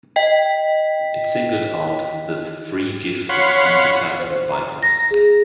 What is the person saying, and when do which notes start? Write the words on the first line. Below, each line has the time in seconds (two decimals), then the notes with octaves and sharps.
It singled out the free gift of anti-Catholic Bibles.
0.16 D#5 G5 B6
3.29 C#5 F5 F#5 B5 C6
4.19 C5
4.52 A#5
4.83 A#6
5.11 G#4